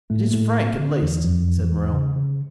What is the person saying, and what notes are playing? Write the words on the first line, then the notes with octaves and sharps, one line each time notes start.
"It is frank, at least," said Morrel.
A2 A3
A#3
A2 A3
D3
E2 E3
F2 F3
E2 E3
C#3
C#3